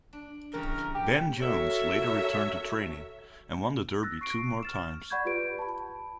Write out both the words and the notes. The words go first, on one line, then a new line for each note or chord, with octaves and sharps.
Ben Jones later returned to training and won the Derby two more times.
D4
C#3 E3 G3 A#4
G4
F#4 A4 A#4 C#5 E5
E6 F#6 A6 A#6
C#6 C7 D7
F6 A6 E7
D5 F#5 B5 C#6 G6 G#6
F4 G4 B4 D5 D7
A5 B5